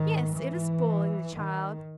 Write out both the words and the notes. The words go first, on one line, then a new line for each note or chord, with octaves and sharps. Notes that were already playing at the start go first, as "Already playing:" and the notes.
'Yes; it is spoiling the child.
Already playing: G#2 D#3
E3
D#3